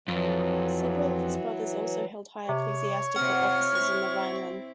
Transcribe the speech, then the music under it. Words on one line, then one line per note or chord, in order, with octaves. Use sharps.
Several of his brothers also held high ecclesiastical offices in the Rhineland.
F2 E3 F#3
C3 C#5
C3 F4 F#5 F6
C4 E4 C#6